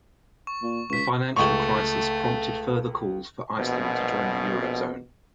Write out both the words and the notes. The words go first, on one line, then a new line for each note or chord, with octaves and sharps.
The financial crisis prompted further calls for Iceland to join the Eurozone.
C#6
A#2
C#2 C#6 B6
C#2 A3 C#6
A#1 B2